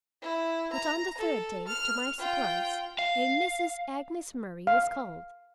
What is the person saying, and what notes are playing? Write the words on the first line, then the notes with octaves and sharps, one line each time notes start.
But on the third day, to my surprise, a Mrs. Agnes Murray was called.
E4
A#5
A4
F6
F4 G5
F5
F5